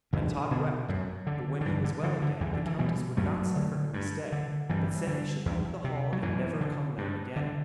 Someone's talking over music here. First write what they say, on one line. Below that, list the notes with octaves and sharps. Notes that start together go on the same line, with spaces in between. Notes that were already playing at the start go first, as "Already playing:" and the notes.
And Tod wept, but when he was well again the countess would not suffer him to stay, but said he should leave the hall and never come there again.
E2 D3
B2
F#2
D3
D3
G2 E3
D3
D3 E3
D3
E2 E3
D3
E3
B2 E3 G3
F#2 F#3 A3
D3
G2
D3
G2 E3 G3
D3
E2
C3
F#3
F#2 E3
D3
G2
D3